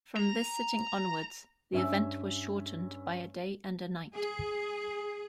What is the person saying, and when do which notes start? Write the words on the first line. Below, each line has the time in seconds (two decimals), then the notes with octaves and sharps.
From this sitting onwards, the event was shortened by a day and a night.
0.17 A#5
1.73 G2 C#4 E5 G#5 E6
4.14 G#4